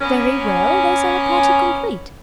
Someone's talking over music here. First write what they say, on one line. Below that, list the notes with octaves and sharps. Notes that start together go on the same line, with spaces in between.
Very well; there is our party complete!
A#3 B3 C#4